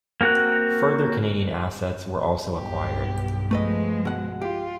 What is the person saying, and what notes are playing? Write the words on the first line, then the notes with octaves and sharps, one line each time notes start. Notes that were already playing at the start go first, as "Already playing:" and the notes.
Further Canadian assets were also acquired.
A#3 C4 F#4 A#4 F#6
B1 G2 B3 G4
F3 G#3 A3 B4 D#5
B2 F#5
F4 G4